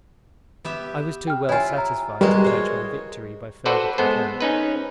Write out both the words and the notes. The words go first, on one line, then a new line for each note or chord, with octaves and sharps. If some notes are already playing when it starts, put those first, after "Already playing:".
I was too well satisfied to urge my victory by further complaint.
B3 G4 E5
G5 F6
E4 F4 C#5 G#5
A#5
G3 G#3 A#3 F#4 A#4 B4 D#5
C5 C#5
F#4 A4 B4 C5 D5
G#3 B3 A4 C5
C#4 D#4 B4